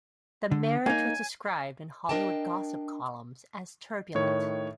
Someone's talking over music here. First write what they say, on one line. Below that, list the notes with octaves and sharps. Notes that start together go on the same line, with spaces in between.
The marriage was described in Hollywood gossip columns as turbulent.
D3
A#3 D#4 G#5
D4 E4 A#4 D#5 G5 A5
A2 D#3 C#5